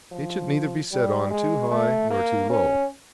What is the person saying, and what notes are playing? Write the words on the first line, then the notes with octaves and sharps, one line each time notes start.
It should neither be set on too high nor too low.
F3
G3
G#3
A3
A#3
C#4